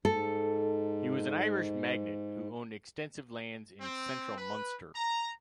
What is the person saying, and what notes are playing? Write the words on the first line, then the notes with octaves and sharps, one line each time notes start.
He was an Irish magnate who owned extensive lands in central Munster.
G#2 A4
C4
B4
A#5